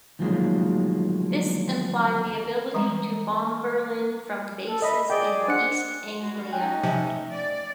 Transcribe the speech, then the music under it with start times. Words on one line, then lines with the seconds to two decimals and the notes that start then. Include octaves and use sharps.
This implied the ability to bomb Berlin from bases in East Anglia.
0.19 D2 D#3 F3 F#3 G#3 A#3
2.74 E3 G3 G#3 A#5
4.65 A4
4.82 D#5 E5 B5
5.10 G#4 D5 D#5 G5
5.48 D4 C5 F#5 C#7
6.21 G#3 F#4
6.53 A3 C#4 D#4 G5 G#5 F#6
6.83 C3 F3 D#5 E5
7.33 D5